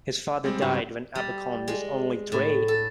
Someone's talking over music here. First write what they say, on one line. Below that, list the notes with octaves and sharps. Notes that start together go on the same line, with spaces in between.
His father died when Abercorn was only three.
G3 G#3 C4
G#2 C#3 F#4 G4 B4
G3
G#3
A2
A4